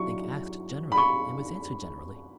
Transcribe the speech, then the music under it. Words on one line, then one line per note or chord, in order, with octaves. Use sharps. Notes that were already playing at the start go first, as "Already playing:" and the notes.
Link asked generally, and was answered generally.
Already playing: F#3 E4 C#6
B5
C#6